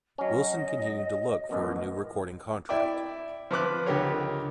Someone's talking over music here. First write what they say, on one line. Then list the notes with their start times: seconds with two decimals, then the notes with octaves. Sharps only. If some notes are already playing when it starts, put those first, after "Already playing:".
Willson continued to look for a new recording contract.
0.18 F#3 C#4 D#5
1.49 A1 F#2 B2 D#5
2.69 E4 D5 E5 G5 D6
3.51 F3 B4 D6 F#6
3.86 C#2 D3 G4 A#4 C#5